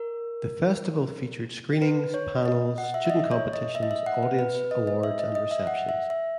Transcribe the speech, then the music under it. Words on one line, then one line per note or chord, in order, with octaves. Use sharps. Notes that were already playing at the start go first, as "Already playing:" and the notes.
The festival featured screenings, panels, student competitions, audience awards and receptions.
Already playing: A#4
B4
C#5
D#5
F#5
E5
E5
D#5
C#5
D#5
E5
D#5
E5
F#5
B4
B4
B4
D#5
D#5
E5
D#5
D#5
E5
F#5
E5
E5